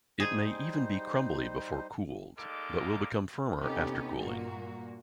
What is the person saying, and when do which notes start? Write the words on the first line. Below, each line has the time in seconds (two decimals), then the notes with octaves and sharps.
It may even be crumbly before cooled, but will become firmer after cooling.
0.20 G3 D#4 G#4 C5
2.38 G3 G#3 A#3 D#4 A4 D6
3.61 C3 B3 C#4 D#4 G4 A4
4.18 G2 A#2 A#3 F#4